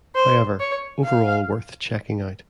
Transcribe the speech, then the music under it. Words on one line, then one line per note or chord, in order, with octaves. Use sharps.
However, overall worth checking out.
C5
C#5
F5